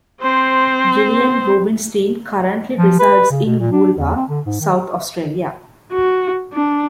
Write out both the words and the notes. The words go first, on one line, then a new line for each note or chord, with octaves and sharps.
Gillian Rubinstein currently resides in Goolwa, South Australia.
C4 C5
F3
B4
C#3
B2
A#2
D4
E2
C4
D3
G#2
D#3
F#4
D4